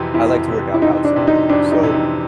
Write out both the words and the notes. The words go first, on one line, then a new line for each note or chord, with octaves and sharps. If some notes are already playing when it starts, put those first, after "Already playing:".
I like to work out outside. So,
Already playing: F2 C3 E3 F#4
F2 E4
C3 E3
E4
F2 D#4
D4
C3 E3
D#4
F2 D4
D#4
C3 E3
D#4